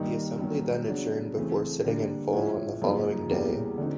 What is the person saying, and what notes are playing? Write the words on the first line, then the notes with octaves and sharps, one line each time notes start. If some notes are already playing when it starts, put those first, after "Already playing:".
The assembly then adjourned before sitting in full on the following day.
Already playing: G2 D#3 G3 A#3 D#4
G2 D#3 F#3 A#3 C#4
C#3 F#3 B3 D4
C#3 E3 A3 C4
D3 G3 A#3 D4
A2 F3 G#3 C#4 E4
F#2 C#3 F3 A#3 D#4
E2 C#3 E3 G3 A#3
D3 F3 A3 C4 D#4